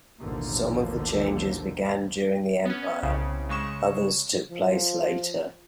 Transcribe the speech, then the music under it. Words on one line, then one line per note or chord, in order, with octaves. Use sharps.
Some of the changes began during the Empire, others took place later.
A1 D#2 B2 D3 F3 A#3
B3 C#4
C2 C#3
C#3 G#3 C#6 E7
F3